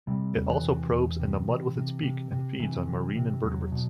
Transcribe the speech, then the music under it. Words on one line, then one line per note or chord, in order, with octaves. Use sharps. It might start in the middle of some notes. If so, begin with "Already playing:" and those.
It also probes in the mud with its beak and feeds on marine invertebrates.
C3 G3
E2
E3
C3
E2
C3
C3
C3
C3
C3
C3 E3
C3
C3
E2 F#3
B2